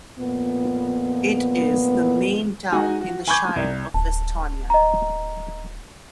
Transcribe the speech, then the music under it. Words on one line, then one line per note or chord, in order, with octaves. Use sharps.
It is the main town in the Shire of Westonia.
F2 A#2 B3
G#3 D#4 F#4 G#5
F#4
G#5 B5 C#6 D6 G6 G#6
C2
D1 A5
D#5 A#5